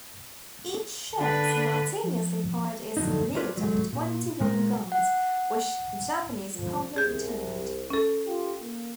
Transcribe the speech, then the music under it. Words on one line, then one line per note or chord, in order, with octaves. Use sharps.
Each ship simultaneously fired a salute of twenty-one guns, which the Japanese promptly returned.
D3 D4 B4
F3
F2 D3 F#3 D4 D#4
F4 A#4 B4 C#5 D5
F#3 G#3 A3
A#2
A#2 G#3 A#4
F#5
F2 F3
C2 G#4 G6
C#4 A4
F4 G4
A#3